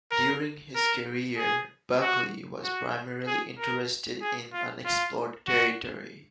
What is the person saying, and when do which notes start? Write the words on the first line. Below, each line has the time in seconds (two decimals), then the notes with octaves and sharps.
During his career, Buckley was primarily interested in unexplored territory.
0.11 A#4
0.75 A#4
1.38 G#4
2.01 F#4
2.64 F#4
3.27 G#4
3.59 A#4
4.22 G#4
4.53 F4
4.85 F4
5.48 F#4